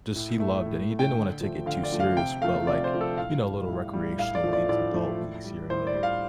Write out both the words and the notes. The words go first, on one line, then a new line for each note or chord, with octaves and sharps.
just he loved it, and he didn't wanna take it too serious, but, like, you know, little recreational leagues, adult leagues here and there.
A2
A3
A2
A3
G5
D3
F3 A3
D3 F5
D5
F3 A3
F5
C3 G5
F3 A3 F5
C3 D5
C5
F3 A3
A4
A2 F5
G3
A2
G3
A2 F5
D5
F3 A3
D5
A2 D5
F3 A3
A2
G3
A2 C5
D5
G3
F5